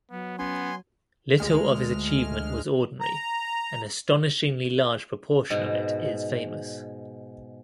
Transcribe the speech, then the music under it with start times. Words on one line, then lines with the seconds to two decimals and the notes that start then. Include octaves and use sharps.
Little of his achievement was ordinary; an astonishingly large proportion of it is famous.
0.11 F#3 B3
0.39 B3 C#4 G#5 C6
1.38 D2 G#3 F6
3.01 A#5
5.50 G#2 B2